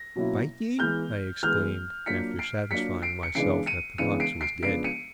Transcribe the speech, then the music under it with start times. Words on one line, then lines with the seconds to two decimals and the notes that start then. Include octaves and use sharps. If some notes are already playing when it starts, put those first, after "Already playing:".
"Bite ye?" I exclaimed, after satisfying myself that the fox was dead.
Already playing: A#6
0.16 B2 F#3 A#3 C#4 E4
0.79 E3 G#3 B3 F6 G6
1.43 E3 G#3 B3 F6 G6
2.06 F#3 A#3 D4 F4 B6 C#7
2.39 C7 D7
2.71 F#3 A#3 D4 F4 B6 C#7
3.02 C7 D7
3.23 C#7
3.35 C#3 E3 G#3 B3 D4 C7 D7
3.66 C#7 D#7
3.98 C#3 E3 G#3 B3 D4 C#7 D#7
4.20 C7 D7
4.41 C7 D7
4.63 C#3 F3 G#3 B3 D4 C7 D7
4.84 C#7 D#7